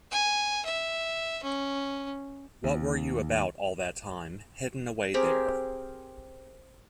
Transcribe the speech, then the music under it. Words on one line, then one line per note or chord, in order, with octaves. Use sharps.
What were you about all that time, hidden away there?
G#5
E5
C#4
D#2
C4 G4 G#4 A#4